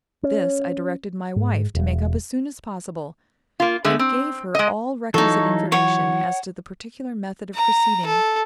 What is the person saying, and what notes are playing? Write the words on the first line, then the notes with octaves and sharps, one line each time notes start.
This I directed my wife to make up as soon as possible, and gave her all requisite information as to the particular method of proceeding.
C#4
G#2
E1
A#3 F4
D3 G#3 A3
C4
G#3 D#5
E3 F#3 D#4 F4 A4 C#6
C#5 F#5
A#5
A4